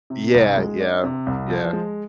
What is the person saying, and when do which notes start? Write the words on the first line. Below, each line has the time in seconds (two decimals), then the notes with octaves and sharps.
Yeah, yeah, yeah.
0.10 C3
0.34 C2
0.57 G#3
0.80 D4
1.04 C3
1.26 C2
1.50 F3
1.73 G#3